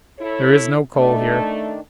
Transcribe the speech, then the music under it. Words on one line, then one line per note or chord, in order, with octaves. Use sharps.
There is no coal here.
E4 A4 C#5
D#3 A3 D4